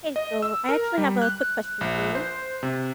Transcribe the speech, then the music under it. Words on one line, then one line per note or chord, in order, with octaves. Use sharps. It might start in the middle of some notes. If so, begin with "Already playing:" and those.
Hey, so I actually have a quick question for you.
D#5
E6
A#4
G3
F#6
A#1
C5
C3